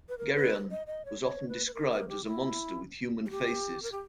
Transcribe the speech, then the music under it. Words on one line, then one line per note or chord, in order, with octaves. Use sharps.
Geryon was often described as a monster with human faces.
B4
A#4
B4
D#5
D#5
C#5
C#5
B4
B4
A#4
A#4
G4
E4
G#4
G4
A#4
G4